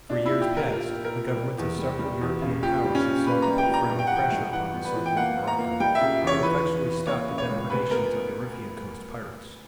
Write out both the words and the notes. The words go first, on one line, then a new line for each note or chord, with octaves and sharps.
For years past the Governments of several European Powers have sought to put friendly pressure upon the Sultan of Morocco to effectually stop the depredations of the Riffian coast pirates.
A#2 D4
E4
A#2
G4
A#2
A#4
A#2 A#4
A#2
A#4
A#2
G3
E2
G3
G3
E2
C#3
A#2 G4
G3
C#4
A#2
A#3 B4
A#5
G3
G5
G3 A#5
G2 A#5
G5
F#5
E3 G5
G2
E3 F#5
B3
B4
E3
G5
A#3 F#5
A#3
A#5
A#3
G3 G5
E5
C#3
E2
C#5
E3 B4
E3
E3
A#3 C#5
C#3
C#5
C#2
D2 B4
B3 A#4